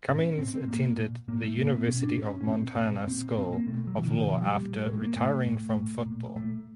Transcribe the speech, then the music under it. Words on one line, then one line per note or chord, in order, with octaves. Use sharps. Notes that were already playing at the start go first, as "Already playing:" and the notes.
Cummings attended The University of Montana School of Law after retiring from football.
A2 C#4
A2 C4
C4
A2 A#3
A#2
A2 A#3
A3
A2 A#3
B3
B2 C#4
D4
A2 C#4
C#4
A#2 C4
A#2
A#2 C4
A#2 C4
A#3
B2 A3
F#3
B2 E3
D#3
D#3
B2 F3
G3
A#2
A2 G#3
A#3
A2 A3
A2
A2
A#2
A#2 A3